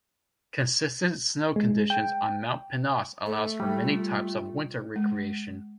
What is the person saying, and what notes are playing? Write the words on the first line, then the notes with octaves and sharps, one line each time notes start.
Consistent snow conditions on Mount Pinos allows for many types of winter recreation.
G#3
G5
A3 A4
G3
F4
G#3